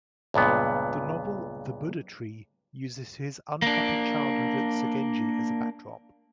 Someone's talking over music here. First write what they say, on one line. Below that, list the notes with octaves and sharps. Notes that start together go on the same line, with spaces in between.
The novel "The Buddha Tree" uses his unhappy childhood at Sogenji as a backdrop.
C#2 G2 A#2 B3
A#3 D4